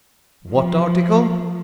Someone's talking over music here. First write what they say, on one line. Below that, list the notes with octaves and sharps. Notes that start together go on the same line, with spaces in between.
"What article?"
F3